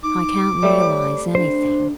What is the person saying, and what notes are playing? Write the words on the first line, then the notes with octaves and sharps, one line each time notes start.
I can't realise anything.
D#4 D6
G3 A3 C4 C#5
D4 C5